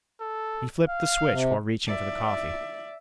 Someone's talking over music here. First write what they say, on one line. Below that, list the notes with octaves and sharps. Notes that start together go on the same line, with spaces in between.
He flipped the switch while reaching for the coffee.
A4
F5
C3
D5 E5